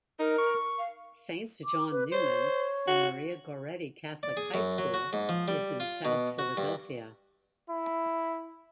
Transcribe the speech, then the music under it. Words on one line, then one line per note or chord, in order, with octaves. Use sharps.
Saints John Neumann and Maria Goretti Catholic High School is in South Philadelphia.
D#4 A#4
C#6
F5
D6
B4
C5 C#5
F#4
D5
G#4
F#2
F#3
F#4
G#2
F3
G3
F4
B2
F#4
G2
E4